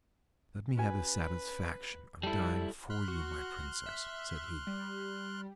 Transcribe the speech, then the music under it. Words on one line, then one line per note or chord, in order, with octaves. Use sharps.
"Let me have the satisfaction of dying for you, my Princess," said he.
C#4 F#4 B4 G#5
G3 E4 A4 E5 A5
B5 C6 F6 F#6
F#4
E5
G3